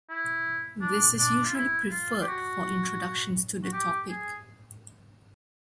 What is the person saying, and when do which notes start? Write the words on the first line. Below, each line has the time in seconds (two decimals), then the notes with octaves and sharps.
This is usually preferred for introductions to the topic.
0.10 E4
0.81 D4
1.19 D4
1.45 F4
1.55 E4
1.91 F4
2.21 G4
2.27 F#4
3.64 F#4
3.73 G4
4.09 G#4